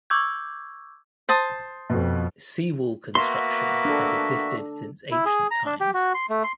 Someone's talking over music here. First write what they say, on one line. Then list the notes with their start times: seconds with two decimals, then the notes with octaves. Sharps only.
Seawall construction has existed since ancient times.
0.10 C#6 D6 E6 G6 G#6
1.29 C5 A5 D#6
1.90 F2 B2
3.15 A#3 B3 F#4 E5 C6
3.85 D4 A4
5.12 E4
5.26 G#4
5.51 A#5
5.66 D4
5.81 G4
5.94 F#4
6.15 C6
6.29 A3
6.44 C6